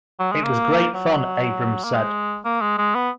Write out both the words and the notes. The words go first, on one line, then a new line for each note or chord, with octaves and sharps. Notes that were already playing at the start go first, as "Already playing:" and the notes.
'It was great fun,' Abrams said.
F#3
G#3
A#3
F#3
A#3
G#3
A#3
G#3
G#3
B3